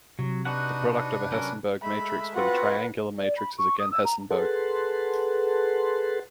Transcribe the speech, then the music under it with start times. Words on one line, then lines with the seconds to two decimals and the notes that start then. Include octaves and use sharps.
The product of a Hessenberg matrix with a triangular matrix is again Hessenberg.
0.19 C3 F#3
0.45 D4 D#4 F#4 B4 F#5
1.32 F#3 C#4 A#4
1.82 G#3 A3 E5 B5
2.35 C4 F4 F#4 B4 F#5
3.18 D5
3.37 B5
3.58 C#6
3.79 D#6
3.92 E6
4.05 A#5
4.30 G#4 A4 B4 F#5 A5 C6